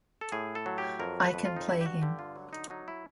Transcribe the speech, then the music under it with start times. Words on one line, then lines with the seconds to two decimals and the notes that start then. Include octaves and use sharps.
I can play him.
0.21 A4
0.32 A2 G#4
0.55 A4
0.66 F#3
0.78 G4
0.99 F2 A#4
1.23 B4
1.34 F2
1.45 F4
1.56 D#4
1.68 G2 E4
1.81 G4
1.86 F#4
2.02 D3 G4
2.19 F4
2.36 F#3
2.53 D#4
2.70 F#3 D#4
2.88 E4